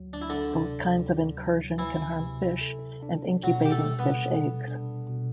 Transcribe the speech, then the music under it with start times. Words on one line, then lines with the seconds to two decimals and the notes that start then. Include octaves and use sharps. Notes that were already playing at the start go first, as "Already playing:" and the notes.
Both kinds of incursion can harm fish and incubating fish eggs.
Already playing: D2 F#3
0.13 D2 D4
0.22 E4
0.30 D3 D4
0.54 C3
0.96 D2
1.37 F#3
1.78 D2 E3 E4
2.19 C3
2.61 A4
3.02 D4
3.43 B2 F#3 F#4
3.65 G4
3.71 A3 A4
3.85 G3
3.99 B3 B4
4.26 A4
4.68 D4
5.09 B2